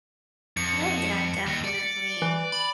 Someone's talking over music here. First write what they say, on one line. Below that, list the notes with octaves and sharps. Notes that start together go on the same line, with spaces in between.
No, yeah, definitely.
F2 C#7
D#2
D5
E3
B5